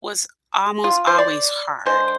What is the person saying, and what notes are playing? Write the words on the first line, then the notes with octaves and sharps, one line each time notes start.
was almost always hard,
F4
C5
D5
D3 G#3 D4 C5